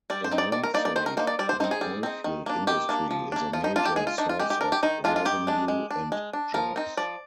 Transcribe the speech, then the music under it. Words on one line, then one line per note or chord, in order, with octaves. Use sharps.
In Lindsay, the oilfield industry is a major source of revenue and jobs.
G3 D5
C5
C4 D#4
D5
D#3 D5
A#4
A#3 D#4 D5
D5
D#3 C5
A#4
A#3 D#4 C5
D5
G3 D5
C5
C4 D#4 C5
G#4
G3
C4 D#4
D#3
A#3 D4
D#3 G4
A#3 D4
F3
A#3 D4
F3 F4
D#4
A#3 D4 F4
G4
G#3 G#4
F4
D4 D#4
F4
G#3 G4
G4
D4 A#4
G4
D#3 D#4
G#3 D4 F4
F4
D#3 G4
G#3 D4
G#3
D4
G#3
D4
F3 A#4
C4 D#4
F3 D5